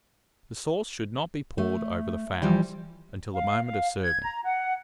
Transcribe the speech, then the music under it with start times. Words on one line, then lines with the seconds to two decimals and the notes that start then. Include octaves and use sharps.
The sauce should not be poured over the fowls until the moment of serving.
1.58 A3
2.42 E3 F3 G3
3.34 F5
3.64 F5
4.02 G#6
4.22 A#5
4.44 F#5